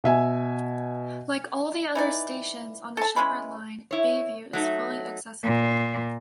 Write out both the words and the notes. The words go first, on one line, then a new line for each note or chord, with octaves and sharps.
Like all the other stations on the Sheppard line, Bayview is fully accessible.
B2 E5 G#5
E3 D#4 D5
A4 A5
C#3 E3 G#3 B5
E4 C#5
F#3 A3 D#4
A#2